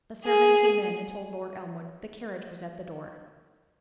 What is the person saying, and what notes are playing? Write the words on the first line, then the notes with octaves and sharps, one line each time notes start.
A servant came in, and told Lord Elmwood, "The carriage was at the door."
G#4